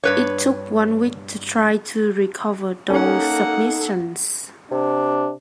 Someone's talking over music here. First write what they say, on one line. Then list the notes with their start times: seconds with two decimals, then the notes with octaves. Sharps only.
It took one week to try to recover those submissions.
0.04 G2 B4 C#5
2.90 A#3 C#4 D#4 A4 F#5
4.71 C3 D4